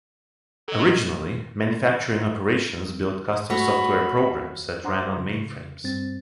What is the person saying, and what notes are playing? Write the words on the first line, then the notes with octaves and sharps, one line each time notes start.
Originally, manufacturing operations built custom software programs that ran on mainframes.
F#3 A4 D#5
A3 F#4 C#5 B5
D4 C5 F#5 A#5 C6 D6
C#3
G2 C4 A6